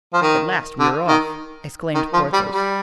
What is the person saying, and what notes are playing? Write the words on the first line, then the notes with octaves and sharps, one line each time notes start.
"At last we are off!" exclaimed Porthos.
F3
D#3
D3
D#3
D#3
F3
G3
G3